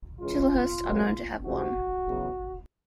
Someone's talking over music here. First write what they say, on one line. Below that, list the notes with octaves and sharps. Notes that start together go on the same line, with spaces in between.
Chislehurst are known to have won.
C#2 C#3 E3 G#3 F4
A#2 F#3 A3 C4
C#2 C3 E3 G#3 C4 F#4
E2 C#3 F#3 B3